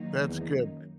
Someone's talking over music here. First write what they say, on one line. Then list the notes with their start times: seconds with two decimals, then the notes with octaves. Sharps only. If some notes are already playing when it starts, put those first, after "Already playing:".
That's good.
Already playing: D#3 F#3 A#3 D#4
0.23 E2
0.55 F#2